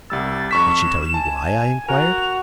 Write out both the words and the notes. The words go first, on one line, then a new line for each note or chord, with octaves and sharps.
'Did she tell you why?' I inquired.
C2 G3 E6 A6
F2 C#6 B6 E7
G#5 A5
F#4 A#4 F7